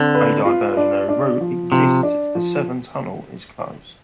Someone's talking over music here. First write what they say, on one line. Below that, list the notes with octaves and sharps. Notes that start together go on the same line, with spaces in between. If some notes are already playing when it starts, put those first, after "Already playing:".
A diversionary route exists if the Severn Tunnel is closed.
Already playing: D3 C4
B4
F4
D4
D4
F3
C3 F3
D4
F3